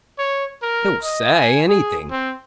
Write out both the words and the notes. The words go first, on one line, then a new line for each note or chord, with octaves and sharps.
He'll SAY anything.'
C#5
A#4
D#5
G#5
G#4
C4